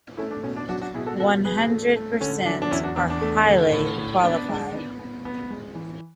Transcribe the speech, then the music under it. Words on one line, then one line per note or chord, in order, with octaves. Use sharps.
One hundred percent are "Highly Qualified".
A3 C#4 E4
D4
B2 C#4
D4
F#3 D4 F#4
D4 F#4
B2 E4 G#4
F#4 A4
B2 F#4 A4
B2 G#4 B4
A3
A3
D3 C#4
F#3 D4
D4
E2 C#4 E4
D4 F#4
E2 D4
D4
A3
D3
A2
A2
B3 D4
G#3
B3
B3
B3
G#3
E3